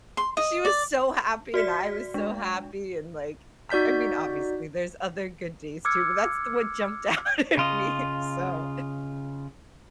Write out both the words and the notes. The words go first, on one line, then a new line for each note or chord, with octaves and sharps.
she was so happy, and I was so happy, and, like, I I mean, obviously, there's other good days too, but that's the one jumped out at me, so,
C6
D#5
D5
F#4 D5 B6
G#3 D4
D#4 F#4 D5 G6 B6
D6 E6 F6 G#6 C#7
C#3 F4 D#5